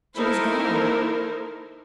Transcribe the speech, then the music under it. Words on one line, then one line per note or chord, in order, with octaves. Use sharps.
She was gone.
A#3 D#4 E4 A4 A#4 C5